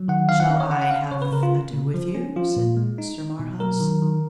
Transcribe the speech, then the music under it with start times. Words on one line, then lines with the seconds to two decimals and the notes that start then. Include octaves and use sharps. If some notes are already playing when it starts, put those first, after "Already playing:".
Shall I have ado with you? said Sir Marhaus.
Already playing: F#3
0.08 D#3 F#5
0.29 D#3 F5
0.40 F#5
0.50 C#4 F5
0.60 C#5
0.71 C#4 F#5
0.82 F#5
0.91 C#4 F5
1.11 C#3 C#5
1.22 B4
1.32 C#3 A#4
1.43 F4
1.54 C#4
1.73 C#3
1.94 F3
2.15 C#4
2.36 F3 F4
2.57 A#2
2.77 G#3
2.98 D#4
3.18 D#4
3.39 B2
3.60 F#3 A#4
3.80 D#3
4.02 D#3